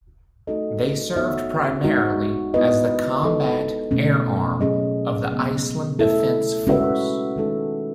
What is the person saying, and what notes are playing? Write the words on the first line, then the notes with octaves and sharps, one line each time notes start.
They served primarily as the combat air arm of the Iceland Defense Force.
A3 D#4 F#4 A4 D#5
B3 D#4 F#4 C#5 E5
G#3 D#4 F#4
B3 E4 B4 D#5
G#3 D#4 A4 D#5
B2 A3 C#4
F#3 C#4 G#4 D#5
C#3 G#3 B3
A3 E4 A4 E5
G#3 C#4 F#4 B4 E5
D#3 G#3 D#4 A4